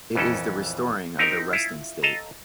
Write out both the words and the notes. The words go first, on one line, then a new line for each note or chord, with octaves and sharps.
It is the restoring of the resting state.
A#1 F2 E3 C#4 A4
C4 D#4 G4 A#4
E4 F4
A4 D#5 F5 A5 A#5